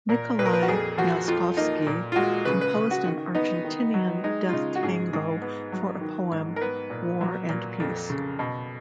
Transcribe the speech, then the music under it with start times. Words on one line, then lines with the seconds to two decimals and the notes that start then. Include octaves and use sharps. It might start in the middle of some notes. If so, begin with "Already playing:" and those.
Nikolai Myaskovsky composed an Argentinian Death Tango for a poem War and Peace.
0.09 A#2 A#4
0.39 A#2 B4
0.46 A#4
0.53 B4
0.62 F#4
0.68 F2 G#4
0.98 F3 F#4
1.28 F2 F4
1.57 A#3 D#4
1.87 A#2
2.12 F4
2.16 G#3 F#4
2.45 C#3 B4
2.61 B4
2.76 C#3
2.91 F#4
3.05 D#3
3.35 B3 D#4
3.64 D#3
3.94 F#3
4.24 G#3 D#4
4.49 F4
4.53 C#3 D#4
4.76 F#4
4.83 G#2 G#4
5.13 G#2
5.42 B3
5.72 F#3
6.01 D#3
6.32 G#2
6.56 A#4
6.61 B3 B4
6.90 A#2
7.21 F#3
7.49 A#2
7.80 F2
8.10 C#3
8.39 B2